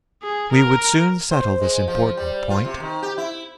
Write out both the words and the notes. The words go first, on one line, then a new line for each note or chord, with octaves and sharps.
We would soon settle this important point.
G#4
A#4
C5
G#3
F3
G3
F4
C3
D#3
G4
E4